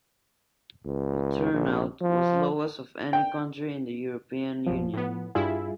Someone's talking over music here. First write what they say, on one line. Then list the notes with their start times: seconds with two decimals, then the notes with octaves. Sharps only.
The turnout was lowest of any country in the European Union.
0.85 C#2
1.53 A#1
2.01 F3
3.13 G5
4.67 A#1 F#2 F3
4.93 A2 B3
5.35 G2 G3 E4 F4 G#4